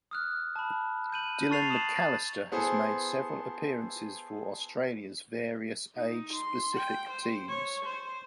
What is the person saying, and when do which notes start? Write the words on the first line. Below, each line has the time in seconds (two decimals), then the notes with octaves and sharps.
Dylan Macallister has made several appearances for Australia's various age-specific teams.
0.11 D#6 F6 F#6
0.56 A5 B5
1.12 G6 D#7 F#7
1.50 A5 C#6 A6 C7 F7
1.70 D#6 E7 F#7
1.96 A6
2.52 B3 E4 G#4 A4 C5
5.96 D#4
6.33 C6
6.76 G5
7.09 C5
7.49 C#5
7.85 C5